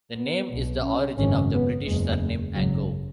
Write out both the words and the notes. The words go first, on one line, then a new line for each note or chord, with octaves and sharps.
The name is the origin of the British surname Angove.
B3
B1 B2
C#4
G#1 F#2 C#3 C#4
B3
F#1 E2 C#3 G#3
G#1 F#2 C#3 F#3